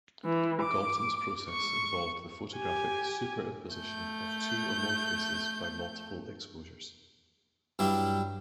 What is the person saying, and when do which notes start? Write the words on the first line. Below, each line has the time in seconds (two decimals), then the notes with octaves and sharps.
Galton's process involved the photographic superimposition of two or more faces by multiple exposures.
0.25 E3
0.62 D6
1.51 C#6
2.57 G4 G#5
3.73 A3 G6
7.79 G2 F#3 G3 E4